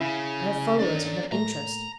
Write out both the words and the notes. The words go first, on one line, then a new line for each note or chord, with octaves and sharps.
I have followers,--I have interest.
C#3 E4
C#4 D4 A4 D5 A#5
A2 A3 A#3 A#5